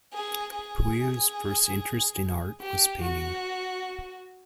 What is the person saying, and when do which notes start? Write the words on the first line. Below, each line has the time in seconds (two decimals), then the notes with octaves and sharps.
Puiu's first interest in art was painting.
0.13 G#4
0.55 G#4
2.61 G4
3.02 F#4